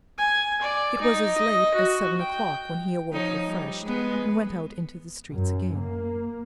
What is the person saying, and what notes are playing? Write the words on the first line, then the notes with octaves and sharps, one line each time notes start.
It was as late as seven o'clock when he awoke refreshed, and went out into the streets again.
G#5
D5
D#4
D#5
F#4
G5
F3 D#4 C#5
G3
G#3 B3
F#2
A#3